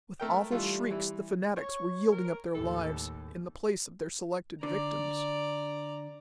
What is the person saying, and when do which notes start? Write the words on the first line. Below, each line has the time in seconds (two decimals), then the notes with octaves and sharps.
With awful shrieks the fanatics were yielding up their lives, in the place of their selected victims.
0.20 A3 A#4 G5
0.51 E3 G3 A3 F4
0.91 E3
1.57 C#5
2.12 A#4
2.55 D#2 A2 A4
4.63 D3 D5 A#5